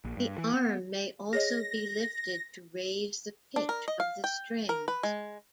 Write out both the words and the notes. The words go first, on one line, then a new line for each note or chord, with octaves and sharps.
The arm may also be lifted to raise the pitch of the strings.
A#1
G2
E3
B3
G#4 C#5 D#5 A#6
D4
A#4
D#5
F5
G5
A#4
B4
G#3